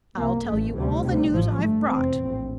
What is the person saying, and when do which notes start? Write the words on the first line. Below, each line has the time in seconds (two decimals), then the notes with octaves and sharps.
I'll tell you all the news I've brought.
0.16 C2 C3 A#3
0.45 A1 G2 A3
0.74 D2 C3 G3
1.04 D2 C3
1.33 A1 A2 F3
1.61 G1 G2 A3
1.90 F1 E2 C3 C4
2.19 A#1 A2